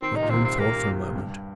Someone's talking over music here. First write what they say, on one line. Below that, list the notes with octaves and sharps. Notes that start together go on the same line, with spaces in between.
Gwendolen thought for a moment.
D#3 C4
C3 D#4
A#2
C2 C3 C4
C4
A#2 A#3
C3
A#2
G2